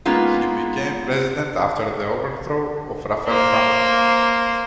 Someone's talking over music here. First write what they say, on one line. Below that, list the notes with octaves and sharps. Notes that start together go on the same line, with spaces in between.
He became president after the overthrow of Rafael Franco.
G#3 A#3 B3 C#4 D#4 F4
A#3 C5